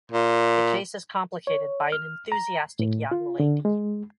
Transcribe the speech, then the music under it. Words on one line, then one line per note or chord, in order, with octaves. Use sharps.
The case is complicated by an enthusiastic young lady.
A#2
C#5
F6
A#5
A2
F4
D3
G#3